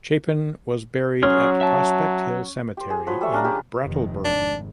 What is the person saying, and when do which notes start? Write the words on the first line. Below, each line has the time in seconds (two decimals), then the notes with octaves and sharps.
Chapin was buried at Prospect Hill Cemetery in Brattleboro.
1.23 F#3 C#4 G#4 C6 F6
1.61 E5 A5
2.77 G4 C5
2.90 G#4
3.07 F3 F#3 B4
3.21 G3 A4 E5 C#6
3.33 C#4 D4 F5 A#5
3.44 G4 G#4 B4 D5
3.83 F1 D#3
4.25 G#1 D4